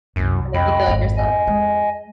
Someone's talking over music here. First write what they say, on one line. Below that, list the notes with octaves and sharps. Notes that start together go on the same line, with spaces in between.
that make you feel like yourself?
C2 F#2 F#3
F2 D#5 G5 B5
G#1 F#2
D#5 G#5
G#3